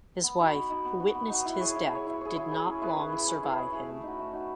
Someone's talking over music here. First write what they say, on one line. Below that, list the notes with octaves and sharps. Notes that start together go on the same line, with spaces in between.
His wife, who witnessed his death, did not long survive him.
B3
D#4 F#4
B3
D#4 F#4
B3
D#4 F#4
B3
D#4 F#4
E4
G#4 C#5
E4
G#4 C#5
E4
G#4 C#5
E4
G#4 C#5
C#4
E4 G#4 B4
C#4
E4 G#4 B4
C#4
E4 G#4 B4
C#4
E4 G#4 B4
A3
D#4 F#4
A3
D#4 F#4